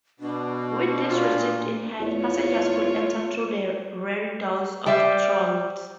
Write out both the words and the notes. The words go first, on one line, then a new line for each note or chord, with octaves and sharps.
With this receipt in hand, passengers could enter through the rear doors of trolleys.
B2 D4
A#2 F4
E2 F4 C#5
G3 C5 E5